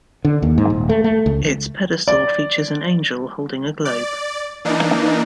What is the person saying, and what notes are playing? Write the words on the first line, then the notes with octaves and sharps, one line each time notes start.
Its pedestal features an angel holding a globe.
D3
D#2
G#2
D#1
A3
A3
C#2
D5
D5
E3 A#3 D4 D#4